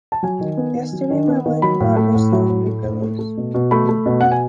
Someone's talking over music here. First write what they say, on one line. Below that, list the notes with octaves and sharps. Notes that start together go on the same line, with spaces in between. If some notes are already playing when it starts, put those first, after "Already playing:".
Yesterday my wife bought herself new pillows.
A5
F#3 G#5
D#3
B3
D#3
F#3
D#3
B3
D#3
F#3 B5
A2
A3
A2
F#3
A2
A3
A2
A3
A3
B2
B2
A3 B5
A3
B2
B2 F#5
G#5